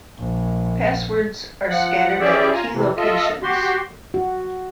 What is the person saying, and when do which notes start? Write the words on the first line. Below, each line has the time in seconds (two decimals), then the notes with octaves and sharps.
Passwords are scattered at key locations.
0.18 A#1
1.69 F3 F#5
2.20 E3 C#4 G4 G#4 D5 E5
2.54 F4 G#5 A#5
2.73 C3 E3
2.97 F4 A4 D#5 E5
3.43 F#4 G4 C6
4.14 F#4